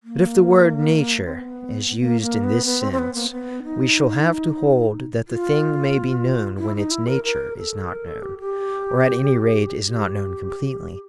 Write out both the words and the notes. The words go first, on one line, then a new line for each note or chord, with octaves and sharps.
But if the word 'nature' is used in this sense, we shall have to hold that the thing may be known when its 'nature' is not known, or at any rate is not known completely.
A#3
C4
B3
A#3
A#3
B3
B3
C4
C4
B3
A#3
B3
D#4
F4
E4
D#4
E4
A#4
A#4
A4
A#4
A4
G4
G4
G4